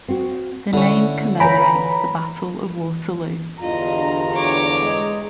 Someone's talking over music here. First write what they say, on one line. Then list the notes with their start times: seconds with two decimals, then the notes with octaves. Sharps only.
The name commemorates the Battle of Waterloo.
0.08 C4 F#4
0.73 D3 C#4 E4
1.40 E3 F4 B4 C#5 G#5 A#5 B5
3.62 E2 G2 D3 F4 D#5 A#5
4.33 C#5 D6
4.82 G#3